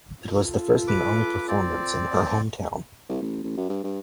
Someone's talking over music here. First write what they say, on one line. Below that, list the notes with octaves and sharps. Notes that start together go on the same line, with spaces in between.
It was the first and only performance in her home town.
F4 A4
B4 D6
C4 D5
C2
A1
A1
F#2
G2
G2